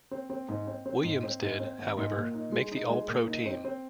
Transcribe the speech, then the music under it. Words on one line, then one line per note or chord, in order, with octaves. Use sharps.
Williams did, however, make the All-Pro team.
C4
C4
G#2
C4
C4
G#2
C4
G#2
C4
G#1
G#2
A#2
D#4
G#3
D#4
G#3
A#2
D#4
C4
C4